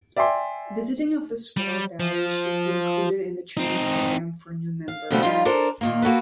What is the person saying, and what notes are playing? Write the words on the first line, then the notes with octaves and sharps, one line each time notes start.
Visiting of this wall valley should be included in the training program for new members.
D5 E5 G5 G#5 C6
G3
F3
C4 D#4
F5
B2 D3 F3 G3 A3 B3
F3 G3 D#4 F4
D4 A4 A#4 C5
A#2 D#3 A#3
A#3 F#4 A4 B4